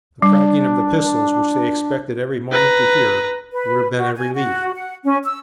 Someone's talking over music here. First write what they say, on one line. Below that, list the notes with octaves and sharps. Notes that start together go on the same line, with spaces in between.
The cracking of the pistols, which they expected every moment to hear, would have been a relief.
G3 D4
B4 A#5
B4
F#4
G#5
F#4
F#5
C#4
E6